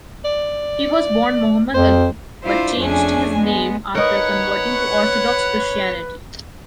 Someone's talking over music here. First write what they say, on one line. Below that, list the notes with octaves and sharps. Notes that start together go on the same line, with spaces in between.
He was born Mohammed Ali, but changed his name after converting to Orthodox Christianity.
D5
F2 C5
D4 E4 F4 C5
F2 A3 C#4 D4 G#4 G#5
G#3 B3
D#4 A#4 B4 C#5 F#5